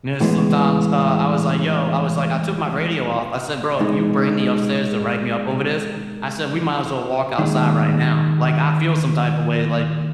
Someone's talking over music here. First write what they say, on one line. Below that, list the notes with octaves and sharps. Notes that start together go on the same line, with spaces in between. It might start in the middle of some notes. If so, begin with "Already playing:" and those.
And then sometimes, uh, I was like, "Yo" I was like, "I took my radio off," I said, "Bro, if you bring me upstairs to write me up over this," I said, "We might as well walk outside right now, like, I feel some type of way, like"
A2 E3 G#3 B3
B2 G#3 D#4
D#2 D#3 G#3